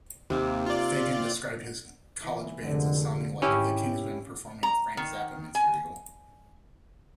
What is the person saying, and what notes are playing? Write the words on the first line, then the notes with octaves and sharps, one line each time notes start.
Fagen described his college bands as sounding like "the Kingsmen performing Frank Zappa material".
D#2 C3 A#3 D#4
F4 D5
E3
F1 D3 G#3
G#1 C#4 E4 G4
A#5
D#3
G#5